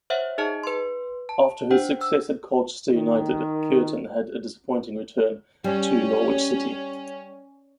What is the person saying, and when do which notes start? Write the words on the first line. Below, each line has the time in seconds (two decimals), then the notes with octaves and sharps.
After his success at Colchester United, Cureton had a disappointing return to Norwich City.
0.10 C5 C#5 E5 F#5
0.38 D#4 G#4 D#5 A5
0.63 B4 C6
1.29 A5
1.71 D4 C5 F#5 G5
2.01 E6
2.95 D#3
5.64 G3 C#4